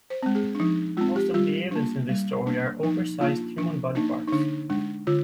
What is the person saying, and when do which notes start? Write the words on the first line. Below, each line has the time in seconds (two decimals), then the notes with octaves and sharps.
Most of the aliens in this story are oversized human body parts.
0.10 C5
0.23 G#3 C4
0.35 G#4
0.55 D4
0.60 F3 D#4
0.97 G#3 F4
1.01 C4
1.16 G4
1.34 G3 F4
1.71 A#3 D4
2.09 G3
2.46 A#3 D4
2.83 F3 D#4
3.21 A#3 D4 F4
3.57 F3 D4
3.95 A#3 D4 D#4
4.28 D#4
4.32 D3 D4
4.70 G#3 D4
5.07 D3 F4